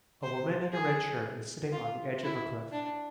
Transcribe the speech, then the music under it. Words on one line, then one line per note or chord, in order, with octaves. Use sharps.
A woman in a red shirt is sitting on the edge of a cliff.
C5
G#4
F4
E4
D4